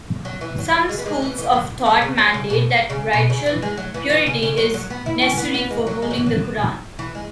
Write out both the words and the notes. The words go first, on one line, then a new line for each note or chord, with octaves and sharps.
Some schools of thought mandate that ritual purity is necessary for holding the Quran.
F#3
E3
F#3
F#3
G#3
B3
G#3
E3
E3
F#3
F#3
C#3
F#3
C#3
B2
C#3
B2
C#3
E3
G#3
F#3
E3
E3
C#3
C#3
F#3
F#3
B3
E4
C#4
B3
B3
G#3
F#3
G#3
F#3
E3
F#3
E3
G#3